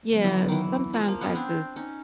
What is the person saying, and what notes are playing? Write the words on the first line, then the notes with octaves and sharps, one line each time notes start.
Yeah, sometimes I just
D3 F#3 B3
E3
E3
D#3 E3
F3
A#3
B3 C#4
C4 D4
C#4 D#4